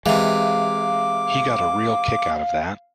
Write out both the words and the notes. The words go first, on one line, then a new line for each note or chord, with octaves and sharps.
He got a real kick out of that.
C3 E3 G#3 F5 D6